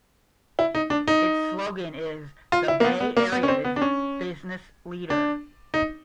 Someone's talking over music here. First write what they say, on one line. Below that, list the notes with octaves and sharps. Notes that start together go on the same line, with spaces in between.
Its slogan is The Bay Area's Business Leader.
E4
D#4
D4
D#4
F4
E4
A#3
B3
B3
A#3
B3
C#4
C4
B3
D4
C#4
D4
D#4